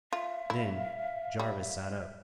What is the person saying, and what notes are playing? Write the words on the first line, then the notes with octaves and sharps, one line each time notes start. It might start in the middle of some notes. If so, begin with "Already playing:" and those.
Then Jarvis sat up.
F4 E5 F5
E4
G3